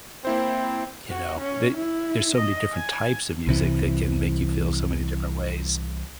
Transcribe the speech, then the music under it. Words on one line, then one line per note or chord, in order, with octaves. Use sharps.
you know? Th there's so many different types of music that can make you feel so many different ways.
A#3 C4 E4 C5
F#4
C#4
E4
D#5
G#5
C2 C3 E3